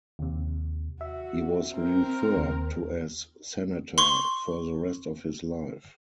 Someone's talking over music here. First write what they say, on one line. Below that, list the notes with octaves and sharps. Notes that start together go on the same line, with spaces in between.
He was referred to as "Senator" for the rest of his life.
D#2 C3
F#4 E5
C4 A#4
D#2
C6 C#6